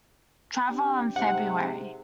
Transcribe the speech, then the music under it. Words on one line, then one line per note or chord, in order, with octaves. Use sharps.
Tarver in February.
C4 D4 G4
G#2 C3 F#5